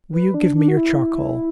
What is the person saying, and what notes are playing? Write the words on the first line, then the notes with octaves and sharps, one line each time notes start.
Will you give me your charcoal?'
B4
D4
D4
F#4
E4